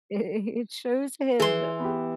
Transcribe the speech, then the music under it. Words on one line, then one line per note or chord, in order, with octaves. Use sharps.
it it shows him
E3 G#4 C6
B3 G4